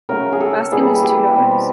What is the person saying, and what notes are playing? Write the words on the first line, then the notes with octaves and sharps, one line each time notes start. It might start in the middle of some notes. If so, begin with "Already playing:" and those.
Baskin has two daughters.
C#3 F#3 A3 A#4
G#4
A4
E3 G3 A#3 G#4
G4
B2 G3 C4